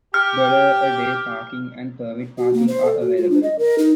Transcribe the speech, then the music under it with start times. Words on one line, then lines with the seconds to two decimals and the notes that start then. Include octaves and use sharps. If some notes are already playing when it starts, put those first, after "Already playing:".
Dollar-a-day parking and permit parking are available.
0.14 G4 F6
2.38 F#4
2.53 A#3
2.68 C5
2.85 A4
3.01 F#4
3.17 F4
3.31 D4
3.43 D#5
3.59 A#4
3.78 D#4